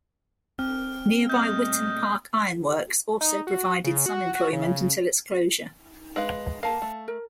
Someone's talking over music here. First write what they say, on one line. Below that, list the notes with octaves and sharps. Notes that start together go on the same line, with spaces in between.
Nearby Witton Park Ironworks also provided some employment until its closure.
C4 F6
A#2 G3 A3 D#5 G6
D#4
F#4
C#3
F#4
F#4
C#3
G#3 B4 F5
A#3 F5 A5
A3
A#4